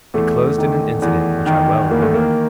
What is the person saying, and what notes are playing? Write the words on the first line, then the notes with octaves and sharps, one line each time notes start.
It closed in an incident which I well remember.
E2 A3
D#3
E2
D#3
E3 A#3
A3
A#3